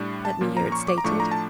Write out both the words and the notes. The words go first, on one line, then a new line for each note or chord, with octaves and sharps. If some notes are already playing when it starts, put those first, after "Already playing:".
Let me hear it stated.
Already playing: A2 G3 D4
A5
A#2 F3 A#3 C#4
A#5
C#6
D6
A#5
A2 F3 A3 D4 C#6
A#5
A5